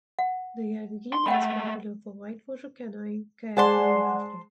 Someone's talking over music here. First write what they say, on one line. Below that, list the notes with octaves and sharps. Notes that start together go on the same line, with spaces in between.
The Youghiogheny is popular for whitewater canoeing, kayaking and rafting.
F#5
C6
G#3 A3 F#5 G5 B5
G#3 C5 D5 F#5 G#5 A5 C6